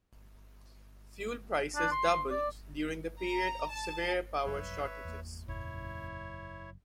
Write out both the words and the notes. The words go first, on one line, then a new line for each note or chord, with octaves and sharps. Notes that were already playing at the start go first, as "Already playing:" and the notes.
Fuel prices doubled during the period of severe power shortages.
D4
C6
D5
A#5
A5
C2 F#2 B4 C#5 E5
E2 A#3
F#1 E2 A#2 E4 C#5